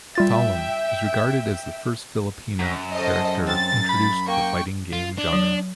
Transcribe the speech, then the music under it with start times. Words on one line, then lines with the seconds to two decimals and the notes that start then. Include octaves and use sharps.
Talim is regarded as the first Filipina character introduced to the fighting game genre.
0.15 G3 F4 E5 G5 A6
2.59 F#2
2.93 A4 C5 D#5
3.47 C4 A6
3.89 B5
4.27 A#3 G5 C#6
4.93 F4
5.18 D4
5.33 F#3